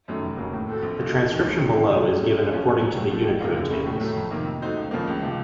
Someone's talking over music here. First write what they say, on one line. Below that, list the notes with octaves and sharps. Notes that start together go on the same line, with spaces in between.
The transcription below is given according to the Unicode tables.
F#2 D#3 F#3 A3
F1
D#2 C#3 F#3 A#3
A2
A3 C4 F#4 A4
A#1
A#2 A3 D#4 F#4
F2
D#3 A#3 D#4
C2
C3 D#3 F#3 C4
C3
F3 A3 D#4
A2
F#3 A3 C#4
F#2
F3 A#3 C#4 F4
A#1
A#2 F#3
A2
F3 A#3 F4
C#2
C3 D#3 A#3 F4
F#2
C#3 A3
A2
F#3 A3
F2
C3 D#3 A#3
D#3
A3 D#4 F#4 C5
C#2
C#3 F3 A#3
C#2
C3 F3